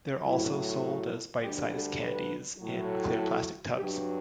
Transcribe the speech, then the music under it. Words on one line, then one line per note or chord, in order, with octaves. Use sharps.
They are also sold as bite size candies in clear plastic tubs.
A2 F#3 E4
F#4
D2 D3 G3 G4
A4
B4
A2 F#3
A4
G2 F#3 G4